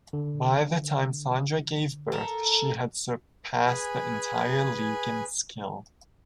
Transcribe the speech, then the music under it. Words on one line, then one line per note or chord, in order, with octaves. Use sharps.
By the time Sandra gave birth she had surpassed the entire League in skill.
D3
A4 A#4
G#4 B4 G#5